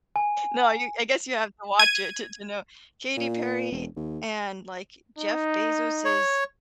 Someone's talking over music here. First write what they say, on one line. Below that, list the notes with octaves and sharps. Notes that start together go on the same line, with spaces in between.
No, I I guess you have to watch it to to know Katy Perry and, like, Jeff Bezos',
G#5
G#6 D#7
A#2
E1
D#2
D#4
C#5